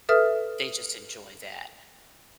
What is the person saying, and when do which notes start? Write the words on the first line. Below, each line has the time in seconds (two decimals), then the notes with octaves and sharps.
they just enjoy that.
0.09 A4 B4 E5 D#6 F6